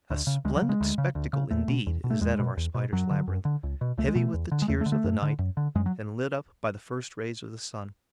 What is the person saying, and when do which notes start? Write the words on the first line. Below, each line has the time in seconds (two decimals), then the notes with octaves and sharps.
A splendid spectacle indeed is that of our Spider's labyrinth, heavy with the tears of the night and lit up by the first rays of the sun.
0.10 D2
0.27 C#3
0.45 D2 G#3
0.56 F#3
0.62 C#3
0.69 G#3
0.81 D2
0.98 C#3
1.15 D2
1.33 C#3
1.51 E2 A3
1.68 B2
1.87 E2
2.04 B2
2.10 A3
2.21 E2 G#3
2.39 B2
2.57 E2
2.74 B2
2.92 F#2 F#3
3.10 D3
3.27 F#2
3.45 D3
3.63 C#2
3.81 B2
3.98 C#2 A3
4.08 G#3
4.15 B2 A3
4.34 E2
4.52 D3
4.62 G#3
4.68 E2 A3
4.81 A3
4.86 D3
4.92 A3
5.04 F#2
5.22 D3
5.39 F#2
5.57 D3
5.75 F#2 G#3
5.86 F#3